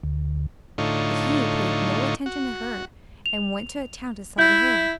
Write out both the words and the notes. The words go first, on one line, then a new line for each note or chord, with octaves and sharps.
But he paid no attention to her, and went to a town to sell the hair.
D2
A2 D3 D#4 F4 C#5
F#4
F7
E4 G6